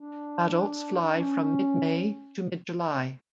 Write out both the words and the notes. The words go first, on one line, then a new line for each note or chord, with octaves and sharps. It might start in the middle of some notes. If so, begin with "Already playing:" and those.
Adults fly from mid May to mid July.
Already playing: D4
D4
C#4